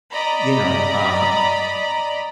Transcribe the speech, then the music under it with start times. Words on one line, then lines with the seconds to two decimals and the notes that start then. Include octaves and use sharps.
you know, um
0.12 D5 D#5 A#5 B5